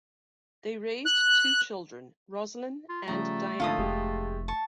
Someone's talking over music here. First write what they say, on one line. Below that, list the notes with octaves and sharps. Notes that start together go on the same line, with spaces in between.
They raised two children, Roslyn and Diane.
F#6
F4
C#3 F3 G3 A3 A#5
G#1 D3 F3 F4 A4 D#6
F1 G#3 G4 G#4
A5 C#6